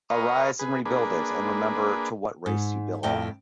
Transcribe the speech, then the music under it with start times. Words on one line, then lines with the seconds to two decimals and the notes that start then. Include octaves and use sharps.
Arise and rebuild it, and remember to what race you belong.
0.10 A#4 B4 C#5 D#5 F5
0.59 G#4 B4
0.86 A#3 D4 G#4 B4
2.46 G#2
3.03 F2 A2 G5